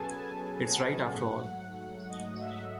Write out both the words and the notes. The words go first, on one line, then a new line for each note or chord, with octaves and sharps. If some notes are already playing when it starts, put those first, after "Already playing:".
It's right, after all!
Already playing: B2 F#3 C#4 G#4 A4 B4 G#5 A5
A5
G#5
G#5
F#5
G#2 F#3 A3 F#5
D#5
E5